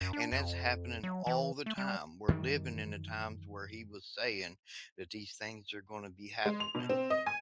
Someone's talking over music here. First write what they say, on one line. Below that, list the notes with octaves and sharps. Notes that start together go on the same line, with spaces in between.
and that's happening all the time. We're living in the times where He was saying that these things are gonna be happening,
F#2
D4
F2
F#3
E3
A3
G3
F#2 D#3 E3 G3
G#3
F7
B2
C4
D#5
G#5